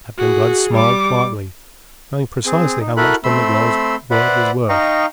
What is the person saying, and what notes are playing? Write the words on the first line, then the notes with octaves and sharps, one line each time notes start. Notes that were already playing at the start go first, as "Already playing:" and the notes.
Captain Blood smiled quietly, knowing precisely how much Don Miguel's word was worth.
F#4 G#4
G3 D6
C4 G#4
D#4
E4 F#4 A4 A#4 B5 F#6
A3 C4 B5 C6 E6
B4 C5 D5 E5 F#5 B5
D#4 D#5 F5 G5 A#5 C#6